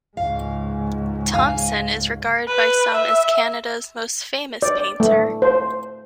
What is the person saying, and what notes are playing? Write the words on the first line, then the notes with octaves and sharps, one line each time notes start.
Thomson is regarded by some as Canada's most famous painter.
C#2 G#2 F5
F5 G#5
B4
E5
D5
A3
C5